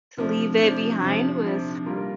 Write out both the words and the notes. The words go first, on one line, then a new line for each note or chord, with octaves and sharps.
to leave it behind was
C3 F3 D4
C3 F3 D4
C3 F3 D4
C3 F3 D4
G3 A#3 F4 A#4